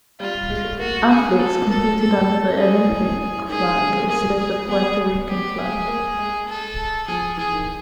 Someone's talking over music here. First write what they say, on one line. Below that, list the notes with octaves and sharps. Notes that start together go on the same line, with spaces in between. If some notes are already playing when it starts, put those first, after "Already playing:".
Athletes competed under the Olympic Flag instead of Puerto Rican flag.
G3 F4
G#3
A3
A#3 F#4
B3 G#4
A4
A#3 A4
A4
A3 G#4
E3
D#3 G#4
D3
G#3
A3
A#3 G#4
G#4
B3 G#4
G4
G#4
A#3
G#3
A4
F3 G#4
E3 G#4
D#3